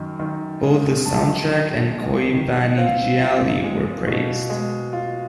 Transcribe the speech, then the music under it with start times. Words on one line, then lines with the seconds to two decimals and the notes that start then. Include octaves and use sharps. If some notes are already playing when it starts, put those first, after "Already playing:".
Both the soundtrack and "Coi Vanni Gialli" were praised.
Already playing: F#2 D#3
0.20 D#3
0.63 G#3
1.06 F#2 A5
1.49 D#3
1.92 G#3
2.34 D#3
2.78 C4 F5
3.21 F4
3.64 G#3
4.07 B2
4.50 G#3
4.93 F4